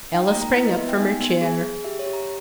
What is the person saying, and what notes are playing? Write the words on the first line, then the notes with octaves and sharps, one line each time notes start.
Ella sprang up from her chair.
D#4 G5
A#5
A#3
A#5
E4 B4
D#5
B3 E5
G5
D#4 G#5
B3
G#4
G#4
G4 E5
C#5
G4
A#5